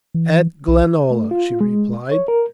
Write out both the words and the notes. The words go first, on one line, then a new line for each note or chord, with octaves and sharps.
"At Glenalla," she replied.
E3
B1
A3
F4
G#3
C#5
A#4